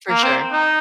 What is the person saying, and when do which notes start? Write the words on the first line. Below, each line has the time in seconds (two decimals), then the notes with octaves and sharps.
For sure.
0.09 A#3
0.23 C4
0.52 D#4